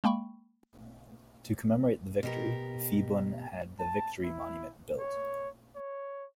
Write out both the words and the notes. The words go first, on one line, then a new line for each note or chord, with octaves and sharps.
To commemorate the victory Phibun had the Victory Monument built.
G#3 A#3 G5 B5 C#6
B2 G4 A#4
A5
E4
C#5
C#5